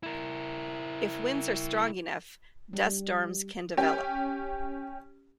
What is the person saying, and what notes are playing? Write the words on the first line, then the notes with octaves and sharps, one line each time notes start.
If winds are strong enough, dust storms can develop.
E4 A#4
G3
C#4 G4